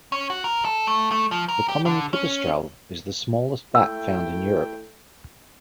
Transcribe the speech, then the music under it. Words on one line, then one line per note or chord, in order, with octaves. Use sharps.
The common pipistrelle is the smallest bat found in Europe.
C#4
F#4
A#4
A4
A3
A3
F3
A#4
G4
D3
C#4
A3 E4 G5 E6